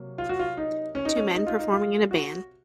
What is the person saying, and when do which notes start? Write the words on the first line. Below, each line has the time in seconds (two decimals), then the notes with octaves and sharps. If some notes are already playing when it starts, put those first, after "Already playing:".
Two men performing in a band.
Already playing: C3 F#3 A#3
0.18 F4
0.29 F#4
0.39 F4
0.57 D#4
0.95 C#4
1.05 D#4
1.16 C#4
1.34 D#4
1.47 F4
1.59 D#4
1.73 F4
2.11 F#4